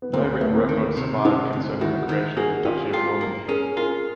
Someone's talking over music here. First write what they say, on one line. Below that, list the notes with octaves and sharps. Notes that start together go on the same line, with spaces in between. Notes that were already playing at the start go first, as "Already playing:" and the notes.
No written records survive concerning the creation of the Duchy of Normandy.
B3
D2 A#3 C4
D2 A3 B3
A#3 C4
D#3
C3
C3 C4 D4
D2
D#3 E4 F#4
D#3
A#3 F#4 G#4
C#4 F4 G4
F4 G4 A4
A#3
C#4 G#4 A#4
F4 G#4 A#4